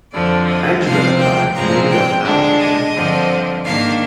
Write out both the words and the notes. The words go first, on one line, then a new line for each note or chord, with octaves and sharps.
Angela and I made it up hours ago.
F2 D3 F3 D5
D#5
C3 F3 C4 F5
G5
G2 F3 G#3 C4 A#5
G5
D3 G#3 D4
D#5
G2 D3 F3 C4
G#2 D#3 A#3 D4 F5